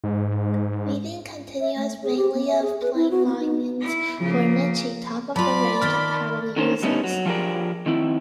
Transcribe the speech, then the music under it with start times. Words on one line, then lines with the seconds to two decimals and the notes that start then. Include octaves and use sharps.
Weaving continues mainly of plain linens for niche, top of the range, apparel uses.
0.04 G#2
1.61 E5
1.76 A3
2.03 G#4
2.17 G4
2.34 B3
2.47 E5
2.62 G#4
2.82 B4
2.95 E4
3.11 F#4
3.26 C4
3.39 D#4
3.81 E4
4.21 C#3 F3 A#3
5.36 F#3 F4 D5 A5 B5 C6
5.82 D#3 A#4 A5 F6 A6 G7
6.56 D3 D#3 C#4 C5
6.83 D3 G3 A3 B3 C#4 D#4
7.04 F#3
7.26 F3 F4 G4 G#4 A#4 D5
7.86 D#3 C4 E4